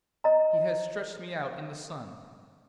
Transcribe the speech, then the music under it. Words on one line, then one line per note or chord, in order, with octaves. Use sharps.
He has stretched me out in the sun.
D#5 A#5